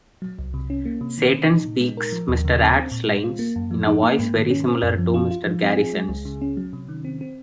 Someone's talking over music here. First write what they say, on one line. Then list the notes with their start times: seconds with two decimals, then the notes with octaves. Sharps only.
Satan speaks Mr. Hat's lines in a voice very similar to Mr. Garrison's.
0.22 F#3
0.39 C2
0.54 C3
0.70 C#4
0.86 A#3
1.01 C3
1.18 D#3
1.34 C3
1.50 D#4
1.65 A#2
1.81 G#3
1.97 A#4
2.12 F3
2.29 D#2
2.45 C#3
2.61 C4
2.76 C4
2.91 A#2
3.08 G#3
3.24 F4
3.39 A#3
3.56 F#2
3.71 F3
3.87 D#4
4.03 A#3
4.19 G#2
4.35 D#3
4.50 C#4
4.67 C4
4.83 F#2
4.98 F3
5.14 F4
5.31 F4
5.46 F3
5.62 C4
5.78 G#4
5.94 G#3
6.09 C#2
6.25 C#3
6.41 C#4
6.57 F#3
6.73 C3
6.88 D#3
7.05 C4
7.21 C4